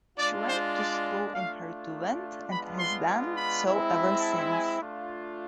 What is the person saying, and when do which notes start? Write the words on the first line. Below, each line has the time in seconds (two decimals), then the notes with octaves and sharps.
She went to school in her duvet and has done so ever since.
0.18 G#3 D4 F4 D5
0.47 C5
0.76 D5
1.33 A3 D4 F4 F5
2.48 G#3 B3 D4 F4 B5
2.78 C6
3.34 B5
3.64 G#3 C4 E4
4.21 A5
4.50 G#5
4.79 A3 D4 F4